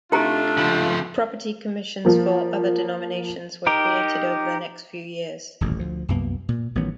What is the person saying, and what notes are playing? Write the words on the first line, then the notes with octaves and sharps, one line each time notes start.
Property commissions for other denominations were created over the next few years.
C3 A3 D4 F4 G4 A#5
C#3 F3
F3 A#3
D#4 G4 A#4
D#1 A1 F#2
D2 F3
C2 F#2 A#3 B3
A#2
A1 D#3 F#3 B3